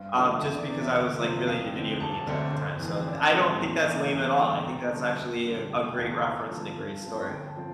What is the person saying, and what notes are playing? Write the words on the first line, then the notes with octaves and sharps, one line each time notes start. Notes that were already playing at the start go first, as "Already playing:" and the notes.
um, just because I was, like, really into video games at the time. So d I don't think that's lame at all, I think that's actually a great reference and a great story.
Already playing: G2 C5
D3 F3 A3 D4
E2 E5
D5
C3 E3 D5
E5
D2
C3 F3 C4
F2 F5
D3 A3 C4 G5
E1 A5
D2 D3 A3 C4 D5
G1 C5
F2 E3
A1 D5
A2 G3 C4
E2
E3 A#3 D4 D5
E2 E5
F5
D3 A3 D4 G5
G5
D2 A#5
D3 G3 C4 A5
F2
D3 G3 D4
F1 G5
G5
E2 D3 A3 D4 F5
A5
E2 A#5
D3 F3 A5
G2 A5
F3 C4 A5
G1 G5
A5
F3 C4